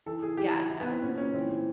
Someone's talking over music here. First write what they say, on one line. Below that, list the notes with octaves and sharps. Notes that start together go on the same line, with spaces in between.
Yeah, absolutely.
E3 A4
E3 G#4
E3 G4
E3 F#4
E3 E4
B3
E3
C4
A#2 C#4
A#2 C#4
E3 C4
E3